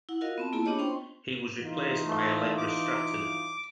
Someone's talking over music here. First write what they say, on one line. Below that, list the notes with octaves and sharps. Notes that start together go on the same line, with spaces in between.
He was replaced by Allegra Stratton.
E4 F#5
F4 F#4 A#4 D#5 F5
B3 C4 A5
A#3 E4 F4 G#4 A5
B3 D4 F4 G4 C#5 D#5
C#4 C5 G5 C6 C#6
E3 D#4 F4
A3
D6